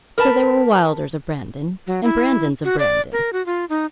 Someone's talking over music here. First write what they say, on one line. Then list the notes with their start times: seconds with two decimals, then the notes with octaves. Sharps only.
So there were Wylders of Brandon, and Brandons of Brandon.
0.18 A#4 B4 A5
1.87 F#3
2.04 E4
2.65 F#4
2.79 D5
3.12 A#4
3.33 F#4
3.46 F4
3.69 D#4